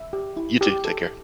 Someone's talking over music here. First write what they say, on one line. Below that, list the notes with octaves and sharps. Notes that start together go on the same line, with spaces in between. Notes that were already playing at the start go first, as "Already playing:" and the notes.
You too, take care.
Already playing: E5
G4
E4
G4
A4